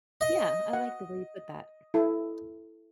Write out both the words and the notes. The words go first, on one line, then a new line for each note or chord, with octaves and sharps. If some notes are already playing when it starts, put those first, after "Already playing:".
Yeah. I like the way you put that.
D#5
F#5
E4 A4